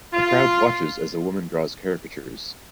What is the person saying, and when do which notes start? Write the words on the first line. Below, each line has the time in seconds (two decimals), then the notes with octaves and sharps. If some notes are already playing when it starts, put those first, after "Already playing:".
A crowd watches as a woman draws caricatures.
0.13 F4